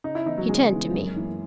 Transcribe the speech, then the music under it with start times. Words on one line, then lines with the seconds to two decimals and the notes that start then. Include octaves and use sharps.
He turned to me.
0.04 C#3 D#4
0.15 E4
0.26 E3 B3 D#4
0.38 F#3
0.49 C#3 G#3
0.71 E3 B3
0.94 F#2
1.16 E3 A#3